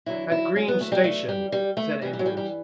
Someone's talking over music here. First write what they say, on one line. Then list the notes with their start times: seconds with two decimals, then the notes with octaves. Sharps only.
"At Green's Station," said Andrews.
0.06 E2 D3 F#3 E4
0.31 E4
0.56 C#4
0.68 B3
0.80 A3
0.92 G3
1.04 A3
1.28 G3
1.52 G3
1.77 A3
2.02 G2 G3
2.05 E3
2.13 G3
2.19 F#3
2.26 G3
2.37 G3